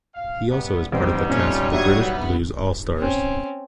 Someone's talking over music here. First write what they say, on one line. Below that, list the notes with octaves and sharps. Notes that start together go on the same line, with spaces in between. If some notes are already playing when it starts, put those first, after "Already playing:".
He also is part of the cast of The British Blues All Stars.
F5
C3 G3 B3
A1 G3 B3 C4 D#4
A#2 A3 C4 C#4 F4 C#5
G2 F#3 E5 C#6 D#6 G#6
B3
C4 C#4